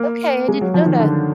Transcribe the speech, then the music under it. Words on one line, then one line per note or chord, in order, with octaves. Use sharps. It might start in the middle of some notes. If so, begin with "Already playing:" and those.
Okay, I didn't know that.
Already playing: A#3
G#3
F#3
F3
D#3
D3